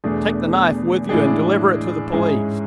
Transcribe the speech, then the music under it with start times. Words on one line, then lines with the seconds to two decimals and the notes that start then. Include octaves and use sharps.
"Take the knife with you, and deliver it to the police."
0.04 E2 B2 A3 D4 G#4
1.09 A2 E3 G#3 D4 G#4
2.13 G#2 G#3 C#4 E4 G#4